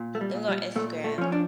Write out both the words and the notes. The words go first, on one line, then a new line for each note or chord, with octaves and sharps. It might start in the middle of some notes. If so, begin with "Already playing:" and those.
Lemme go on Instagram."
Already playing: A#2
A3
G3
A#2
G3
A#2 A3
A3
F3 C#4
D4